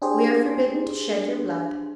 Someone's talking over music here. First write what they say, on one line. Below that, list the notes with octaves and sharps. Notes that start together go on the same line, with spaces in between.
"We are forbidden to shed your blood."
D4 G4 G#4 C5